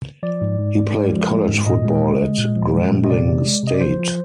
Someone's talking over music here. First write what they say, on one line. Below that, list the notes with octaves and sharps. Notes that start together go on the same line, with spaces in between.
He played college football at Grambling State.
F3 D5
G#2
G#2
G#2
G#3
F3
G#3
G#2
A#2 D#5
G#3
G#3
G#3
A#2
F3
G#3
A#2
D#5
C3 D5
C3
G#3
C3 D#5
D5
F3 C5
F3